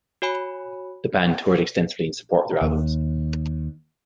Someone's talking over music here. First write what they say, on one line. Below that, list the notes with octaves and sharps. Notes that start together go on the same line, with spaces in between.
The band toured extensively in support of their albums.
F#4 C#5 G#5 B5
D#2